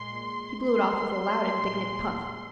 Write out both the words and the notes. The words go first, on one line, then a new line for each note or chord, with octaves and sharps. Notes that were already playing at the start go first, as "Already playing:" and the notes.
He blew it off with a loud, indignant puff.
Already playing: A#2 G#3 C6
C6
A#2 G#3